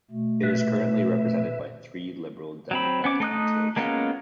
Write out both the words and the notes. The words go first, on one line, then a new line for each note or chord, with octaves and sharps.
It is currently represented by three Liberal Democrat councillors.
B2 A3
A#2 B4 E5
F#3 C4 B5
B3 C#4 D6
A3 D#4 D#6 F#6
G#3 A#3 B3 C#4 F4